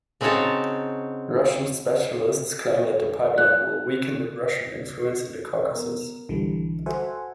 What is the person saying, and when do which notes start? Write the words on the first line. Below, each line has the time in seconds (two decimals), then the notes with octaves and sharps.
Russian specialists claim that the pipeline will weaken the Russian influence in the Caucasus.
0.21 C#3 C4 D#4 F#4 C#5 A5
3.38 F#6
5.73 B3 A#4
6.29 B1 D3 E3 G3
6.86 F#4 A4 C5 E5 F#5 G#5